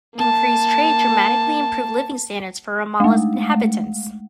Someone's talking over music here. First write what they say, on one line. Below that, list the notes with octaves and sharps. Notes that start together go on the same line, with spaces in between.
Increased trade dramatically improved living standards for Ramallah's inhabitants.
A#3 A5
G#3 A3